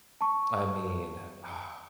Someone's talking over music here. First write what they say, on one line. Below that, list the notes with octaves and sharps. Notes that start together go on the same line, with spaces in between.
I mean, uh
A5 C#6